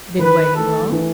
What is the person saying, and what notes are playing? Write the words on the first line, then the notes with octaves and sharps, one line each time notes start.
"Been waiting long?"
D#3 B4
A3 A4
E3